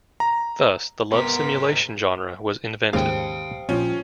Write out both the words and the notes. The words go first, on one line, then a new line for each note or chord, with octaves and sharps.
Thus, the love simulation genre was invented.
A#5
G#2 C3 B3 A#4 C6 B6
D#2 G#2 C#3 G4 C5 F5 G5 D#6
A#1 F3 C#4